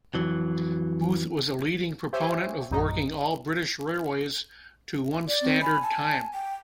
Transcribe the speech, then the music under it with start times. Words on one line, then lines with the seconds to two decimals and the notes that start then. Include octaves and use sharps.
Booth was a leading proponent of working all British railways to one standard time.
0.14 F2 E3 F#3
2.13 G4 C5 C#5 E5 G#5
2.71 A#1 F#2 D#4
5.28 D5
5.42 C4
5.62 G#5 B5
5.82 A5
6.34 G5